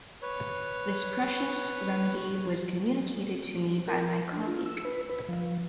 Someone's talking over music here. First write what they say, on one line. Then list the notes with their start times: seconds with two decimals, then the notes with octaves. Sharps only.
This precious remedy was communicated to me by my colleague.
0.22 B4 C#5
3.88 A#4
4.33 D4
4.47 F4
4.66 E6
4.85 B4
5.09 B4
5.29 F3